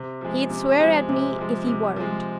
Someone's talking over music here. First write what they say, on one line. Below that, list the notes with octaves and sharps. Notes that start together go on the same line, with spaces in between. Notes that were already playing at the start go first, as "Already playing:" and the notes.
'He'd swear at me if he weren't.
Already playing: C3
F3 G#3
C3
F3 G#3
C3
F3 G#3
C3
F3 G#3